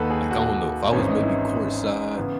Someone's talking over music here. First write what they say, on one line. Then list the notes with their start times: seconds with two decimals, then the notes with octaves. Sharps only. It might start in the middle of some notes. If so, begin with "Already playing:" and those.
Like, I don't know, if I was maybe courtside
Already playing: D#2 D#3 A4 B4 F#5
0.10 G#4
0.31 F#4
0.92 G#1 G#2 E3 C#4
1.08 D#4
1.23 E4
2.17 C#3 E3 B3